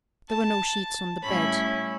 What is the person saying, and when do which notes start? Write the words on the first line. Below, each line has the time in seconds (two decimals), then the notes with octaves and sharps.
There were no sheets on the bed.
0.30 A5
1.23 A2 G3 C#4 E4 B5